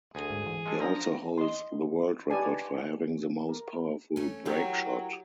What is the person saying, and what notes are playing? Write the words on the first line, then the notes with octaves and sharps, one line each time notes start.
He also holds the world record for having the most powerful break shot.
D2 G#4
G#2
E3
G#3 A#3 A4
F3 D4 A#5
D#5 C6
D#4 G4 B4 D5 G#5 A5
A#4
A3 C#4
F#3 E4 G4 A#4